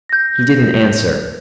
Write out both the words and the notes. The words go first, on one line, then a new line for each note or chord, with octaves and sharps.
He didn't answer.
G6 A#6